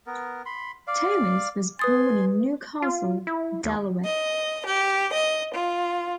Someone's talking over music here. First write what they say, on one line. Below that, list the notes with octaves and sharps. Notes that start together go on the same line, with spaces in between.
Thomas was born in New Castle, Delaware.
B3 A#4
B5 C6
D5 F5
B4 G#5 C6 D#6 A6
F4
E4
D#2
D#5
G4
D#5
F4